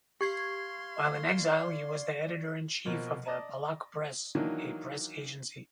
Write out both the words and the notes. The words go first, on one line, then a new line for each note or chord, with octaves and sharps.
While in exile he was the editor-in-chief of the "Palach Press", a press agency.
G4 F5 C6 C#6 G#6 C7
D5
B2 F3 A#3
D5 D#5 A5 A#5
D#3 E3 F#3 A#3 D4 D#4